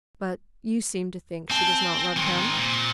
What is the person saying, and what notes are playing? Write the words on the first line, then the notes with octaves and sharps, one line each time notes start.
"But you seem to think she does not love him!"
C4 G#5 A5
D#3 G#3 C4
A#2